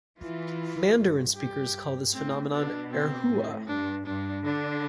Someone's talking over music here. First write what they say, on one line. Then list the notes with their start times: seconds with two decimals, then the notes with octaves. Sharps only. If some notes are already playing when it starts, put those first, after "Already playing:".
Mandarin speakers call this phenomenon "erhua".
0.20 E3 F4
0.98 G2
1.35 G2 G4
2.13 A2 C4
2.52 B2 D4
2.91 C4
3.29 A2
3.67 G2 D4
4.06 G2 D4
4.45 D3 D4